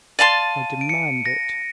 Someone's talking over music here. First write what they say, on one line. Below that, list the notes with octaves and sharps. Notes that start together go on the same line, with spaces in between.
"I demand it."
D5 F5 A5 C6 D#7
D7
C#7
A#6